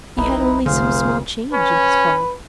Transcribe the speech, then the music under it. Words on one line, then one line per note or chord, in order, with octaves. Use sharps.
He had only some small change in his fob.
E1 B1 D#4 E4 B4
F1 D3 G#4 C5 F5
C#4 B4